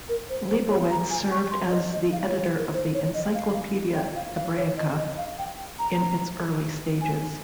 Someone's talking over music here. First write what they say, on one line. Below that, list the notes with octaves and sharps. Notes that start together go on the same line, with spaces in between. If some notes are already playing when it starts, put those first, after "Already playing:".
Leibowitz served as the editor of the "Encyclopaedia Hebraica" in its early stages.
A#4
C5
C5
C#5
A#5
G#5
C#6
C6
C#5
D#5
D#5
F5
C#5
C5
A#4
C5
C#5
D#5
F5
G5
F5
F5
C#5
D#5
D#5
F5
G5
A#5
G#5